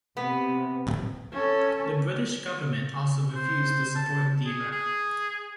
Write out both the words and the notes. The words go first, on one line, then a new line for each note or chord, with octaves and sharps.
The British government also refused to support Deva.
C3 B3
C#4 A4
C5
A5
G#4
G#4